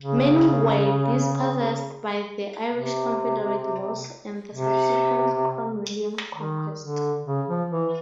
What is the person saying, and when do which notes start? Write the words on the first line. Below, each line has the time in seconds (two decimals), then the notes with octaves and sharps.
Many were dispossessed by the Irish Confederate Wars and the subsequent Cromwellian conquest.
0.02 C#3
2.73 C3
4.54 C3
6.36 D#3
6.80 D3
7.26 C#3
7.48 F3
7.71 E3